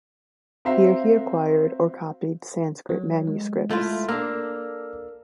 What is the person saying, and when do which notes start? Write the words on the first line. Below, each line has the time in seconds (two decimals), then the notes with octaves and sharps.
Here he acquired or copied Sanskrit manuscripts.
0.65 C4 F#4 C5 E5 F5 A#5
2.89 F#3
3.28 G#3
3.71 A3 E4 F4
4.09 A#3 D4 A4 E6 F6